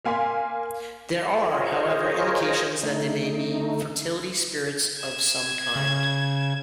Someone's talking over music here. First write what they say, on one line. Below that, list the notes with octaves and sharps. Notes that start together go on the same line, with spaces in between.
There are, however, indications that they may be fertility spirits of some kind.
A#3 F5 G#5 C6 B6
F4 G#4 A#4 C5 C#5 D#5
D3 A3 D#4
G#6 E7
C#3